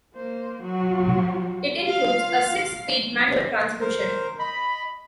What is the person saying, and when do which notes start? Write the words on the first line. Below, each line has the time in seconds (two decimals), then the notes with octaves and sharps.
It includes a six-speed manual transmission.
0.15 A#3 C5
0.62 F#3 F#4
1.87 F4 F5
3.81 A#4 C5
4.39 D#5 B5